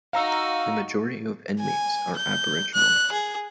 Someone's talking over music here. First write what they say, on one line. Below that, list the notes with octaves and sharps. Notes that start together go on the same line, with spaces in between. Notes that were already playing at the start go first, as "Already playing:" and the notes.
The majority of inmates are Aboriginal.
D#4 F#4 F5 A#5 E6
G#5
G6
F#6
G#4